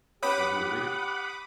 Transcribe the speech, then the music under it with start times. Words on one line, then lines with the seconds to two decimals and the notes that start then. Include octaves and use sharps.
Would you agree?
0.23 C#4 G4 B4 C#5 F#5 B5 D6 D#6